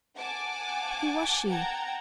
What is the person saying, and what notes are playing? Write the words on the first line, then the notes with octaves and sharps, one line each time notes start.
Who was she?
F#5 G#5 A5 D6
F#5 G5 A5 A#5 G#6